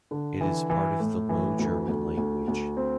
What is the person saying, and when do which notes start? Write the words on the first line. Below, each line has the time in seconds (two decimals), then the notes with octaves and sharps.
It is part of the Low German language.
0.11 D3
0.41 E3
0.70 E3
1.00 A2
1.29 E3
1.59 D2
1.88 D2
2.17 D2
2.48 D2
2.77 C4